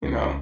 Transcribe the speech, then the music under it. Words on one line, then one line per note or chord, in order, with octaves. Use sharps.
you know.
C#2